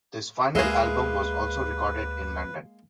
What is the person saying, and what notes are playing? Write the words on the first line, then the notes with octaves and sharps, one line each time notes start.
This final album was also recorded in London.
D2 G#3 A#3 G#4 B4 E5